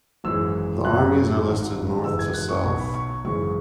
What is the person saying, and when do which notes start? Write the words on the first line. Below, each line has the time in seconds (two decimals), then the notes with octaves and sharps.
The armies are listed north to south.
0.24 G#1 F#2 E3 G#3 E6
0.85 F#1 F#2 F#3 F#6
1.44 G#1 G#2 F#3
2.04 F#1 E2 E3 G#3 E6
2.19 G#6
2.34 F#6
2.49 C#6
2.64 B1 B2 F#3 C#6
2.80 B5
2.94 C#6
3.09 C#6
3.25 G#1 F#2 C#3 E3 G#3 C#6